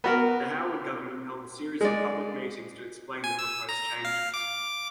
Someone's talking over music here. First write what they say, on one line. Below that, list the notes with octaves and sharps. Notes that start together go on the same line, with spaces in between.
The Howard Government held a series of public meetings to explain the proposed changes.
B3 F#4 A#4
G#3 D5
G#5
E6
A#5
F5
D6